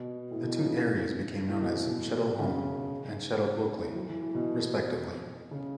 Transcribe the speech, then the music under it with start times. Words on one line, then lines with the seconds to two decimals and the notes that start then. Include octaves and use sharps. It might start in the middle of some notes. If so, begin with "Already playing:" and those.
The two areas became known as "Chedle Holme" and "Chedle Bulkeley" respectively.
Already playing: B2
0.31 A2
0.44 B2
0.57 C#3
0.70 E3
1.48 A2
1.61 B2
1.74 E3
1.87 B2
2.39 C#3
3.89 E3
3.95 F#3
4.08 E3
4.21 E3
4.35 B2
5.51 C#3